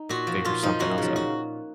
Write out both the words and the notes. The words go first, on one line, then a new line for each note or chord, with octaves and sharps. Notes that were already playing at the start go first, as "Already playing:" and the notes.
figure something else out.
Already playing: D#4
A#2 F#4
F3
A#2 F4
F3 D#4
F#2 F#4
C#3 F3
F#4